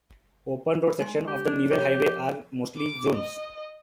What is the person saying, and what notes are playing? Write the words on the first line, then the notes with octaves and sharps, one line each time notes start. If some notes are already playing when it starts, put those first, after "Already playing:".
Open road sections of the Newell Highway are mostly zones.
G#3 D#4 G#5 C6
G4
F3 D4 D5
G4 C#5
D6
D#5